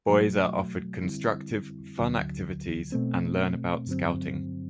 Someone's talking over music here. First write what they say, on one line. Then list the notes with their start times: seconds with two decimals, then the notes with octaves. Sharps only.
Boys are offered constructive, fun activities and learn about scouting.
0.09 B2 F#3 A3
1.03 D3 G3 C4 E4
1.98 D2 D3 F#3
2.92 B2 A3 C4
3.87 G2 D3 F#3 C4